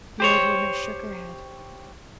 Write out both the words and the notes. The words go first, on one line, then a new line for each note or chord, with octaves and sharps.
The old woman shook her head.
G4 C5 C#5